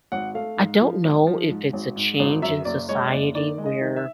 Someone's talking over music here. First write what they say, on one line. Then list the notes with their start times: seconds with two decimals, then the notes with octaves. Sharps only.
I don't know if it's a change in society where,
0.12 G#1 F#5
0.34 A3 F5
0.57 G#2
0.81 F3
1.04 G#1
1.27 F3
1.50 G#2
1.73 G#1
1.96 G#2
2.20 G#1
2.42 F#2 E5
2.65 F#1 D5
2.89 G#3 C#5
3.12 F#1 D5
3.35 D#3 D5
3.58 G#3
3.66 D#5
3.81 D#3
3.96 E5